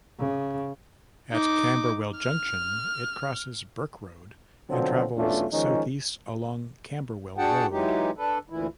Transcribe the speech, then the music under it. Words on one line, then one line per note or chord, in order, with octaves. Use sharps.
At Camberwell Junction it crosses Burke Road and travels south east along Camberwell Road.
C#3
D#4 D6
F6
B2 D3 D#3 F3 F#3 C4
B1 E2 A3 C#4 D4 F4
D#3 F3 G#3 C#4 D#4
D4 F#4 G#4 F#5 G5 A5
E3 F#3 G#3 D#4 G4
D4 A4 B4
D2 A#2 E3 E4